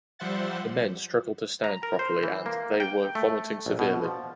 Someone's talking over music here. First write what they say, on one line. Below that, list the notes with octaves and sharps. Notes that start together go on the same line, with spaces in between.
The men struggled to stand properly and they were vomiting severely.
F3 G3 C5 E5 F#5 A6
A#5
A#4
C5
E3
A#3
G5
A3
A#1
B2
F3